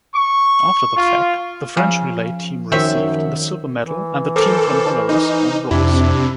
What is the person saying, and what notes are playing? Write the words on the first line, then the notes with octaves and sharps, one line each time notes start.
After the fact, the French relay team received the silver medal and the team from Belarus won bronze.
C#6
F4
C#3 F3
F#2 D#3 C4 C#5 E5
E3
A4 A#4 C5 D6
D#4
F2 C3 D4 E4